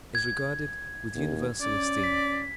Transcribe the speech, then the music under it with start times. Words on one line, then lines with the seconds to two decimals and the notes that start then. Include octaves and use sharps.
"Is regarded with universal esteem."
0.15 G#6
1.15 D#2
1.62 C#4 D5
2.03 B6